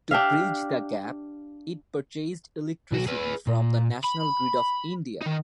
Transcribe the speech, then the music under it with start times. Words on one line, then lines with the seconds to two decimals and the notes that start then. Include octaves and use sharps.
To bridge the gap, it purchased electricity from the national grid of India.
0.11 D4 G4 E5 F5
2.92 B1 F#4
3.07 G#4 B4
3.47 A#2
4.04 B5
5.22 D#3 D#4